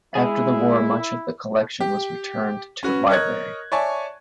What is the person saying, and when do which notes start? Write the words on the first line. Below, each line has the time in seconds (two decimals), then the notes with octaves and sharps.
After the war much of the collection was returned to the library.
0.15 G#3 E4 G#4
1.81 G4
2.83 C#4 F#4 B4
3.09 A#4 C#5 D#5 F#6 G#6
3.72 C#5 D5 E5 G#5 A5 C#6